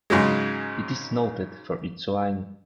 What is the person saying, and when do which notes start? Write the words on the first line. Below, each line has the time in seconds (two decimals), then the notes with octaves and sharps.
It is noted for its wine.
0.10 G#2 C#3 F#3 G#3